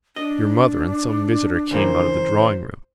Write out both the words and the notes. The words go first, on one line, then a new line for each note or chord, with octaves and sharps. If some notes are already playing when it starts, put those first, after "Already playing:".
Your mother and some visitor came out of the drawingroom.
D4 D#5
C#3 E3 A#3 C5